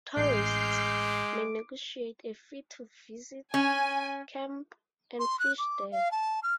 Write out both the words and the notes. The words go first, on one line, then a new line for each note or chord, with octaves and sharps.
Tourists may negotiate a fee to visit, camp, and fish there.
A1 G#3 D6 F6 G6 C7
C#4 G#5
C6
F#6
D6
F5
A5
F6